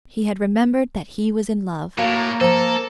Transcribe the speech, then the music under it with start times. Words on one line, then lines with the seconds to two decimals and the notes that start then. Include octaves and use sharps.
He had remembered that he was in love.
1.98 A2 A#3 F#4 F5
2.41 F3 A4 C5 A#5